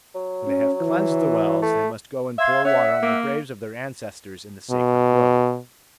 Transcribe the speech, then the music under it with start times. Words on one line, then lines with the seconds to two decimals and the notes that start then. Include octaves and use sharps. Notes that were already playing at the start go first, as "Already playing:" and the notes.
When they have cleansed the wells, they must go and pour water on the graves of their ancestors in the sacred grove.
0.15 F#3
0.46 C#4
0.81 E3
1.62 A3
2.38 E5 F5 C6 G#6
2.65 C#4 E5 F#5 E6
3.02 A#3
4.71 B2